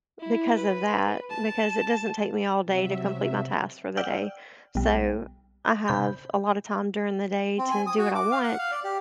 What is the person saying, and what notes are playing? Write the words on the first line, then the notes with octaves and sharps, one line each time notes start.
because of that, because it doesn't take me all day to complete my tasks for the day, so I have a lotta time during the day to do what I want,
E4
B4
A5
C3 F#3 E5
D5 F#5 G5 E6 F6 G6
B1 G3
C3 B5 G6
C4
G#5
D#6
F#4
D6
F5
F#5
F5
D5
G4